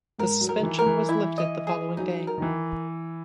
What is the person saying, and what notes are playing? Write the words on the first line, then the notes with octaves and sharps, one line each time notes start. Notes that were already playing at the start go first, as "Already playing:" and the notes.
The suspension was lifted the following day.
G#2 A#4
F#3
A#4
D#3
E3
A#4
E3
E4
D#5
G#4
F#3 D#4
A#4
D#3
E3